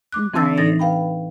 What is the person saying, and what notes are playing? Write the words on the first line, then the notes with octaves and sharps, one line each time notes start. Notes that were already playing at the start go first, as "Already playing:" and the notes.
Mm, right.
D6 F#6
E3 C4 D4 A5 E6 A6
A2 E3 D#4 A6 A#6
B4 F5 G5 B5